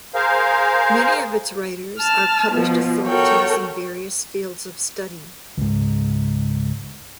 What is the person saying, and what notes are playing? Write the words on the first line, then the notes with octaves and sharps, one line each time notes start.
Many of its writers are published authorities in various fields of study.
G#4 A#4 C5 F5
A5 F6
B2 F3
F#4 A4 A#4 C#5 G5
C#2 G#2